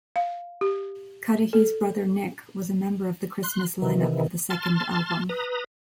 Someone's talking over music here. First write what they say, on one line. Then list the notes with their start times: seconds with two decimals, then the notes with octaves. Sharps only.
Cudahy's brother Nick was a member of the Christmas lineup for the second album.
0.16 F5
0.61 G4
1.53 A4
3.43 C6 F#6
3.82 C3 D#3 E3
4.50 A5 C6 F6 A6
5.29 B4 A#5 D#6